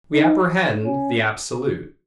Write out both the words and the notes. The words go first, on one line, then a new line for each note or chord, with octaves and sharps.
We apprehend the absolute.
D#4
C#4